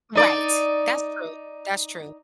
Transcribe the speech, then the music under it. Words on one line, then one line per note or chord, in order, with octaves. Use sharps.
Right, that's true, that's true,
D#4 D5